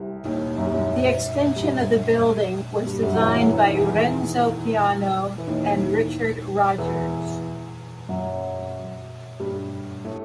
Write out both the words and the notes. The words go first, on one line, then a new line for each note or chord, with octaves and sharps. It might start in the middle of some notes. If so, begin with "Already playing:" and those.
The extension of the building was designed by Renzo Piano and Richard Rogers.
Already playing: C2 C3
D#2 D#3
F#2 F#3
G3
F#2 F#3
G2 G3
G2 G3
G3
F#2 F#3
F#3
E2 E3
F#2 F#3
E3
D#3
E2 E3
E3
D#2 D#3
E2 E3
F#2 F#3
G2 G3
A2 A3